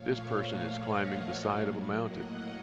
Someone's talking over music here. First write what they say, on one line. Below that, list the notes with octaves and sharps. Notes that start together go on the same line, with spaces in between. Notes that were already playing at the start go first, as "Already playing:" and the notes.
This person is climbing the side of a mountain.
Already playing: A#2 F3 A3 C#5 F5
C#5 F5
D#5 F#5
A2 F#3 A#3
D#5 F#5